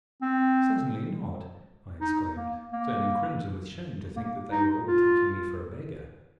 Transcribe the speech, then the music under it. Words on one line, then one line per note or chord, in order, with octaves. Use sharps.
"Certainly not!" I exclaimed, turning crimson with shame to think that they were all taking me for a beggar.
C4
D#4
A#3
A#3
A#3
D#4
F4